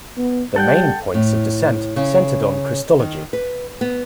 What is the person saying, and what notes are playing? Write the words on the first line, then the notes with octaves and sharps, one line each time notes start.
The main points of dissent centered on Christology.
B3
G3 A4 F#5 G5
A2
C#3
D#3
B4
B3